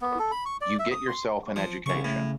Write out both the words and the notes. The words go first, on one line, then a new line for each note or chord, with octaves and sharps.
You get yourself an education.
B3
A4
B5
C#6
D5
E5
D#6
C6
F3
C2 C#3 C#6
A2